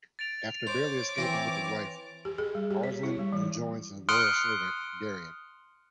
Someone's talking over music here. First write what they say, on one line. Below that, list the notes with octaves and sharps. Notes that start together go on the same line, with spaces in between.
After barely escaping with his life, Arslan rejoins his loyal servant, Daryun.
A6 D7 F7
C5 C#5 D6
E3 C4 A#6
G4
G#4
G3
G4
C#5
E4
G3
E3
C6 D#6 F6 F#6 C#7 D7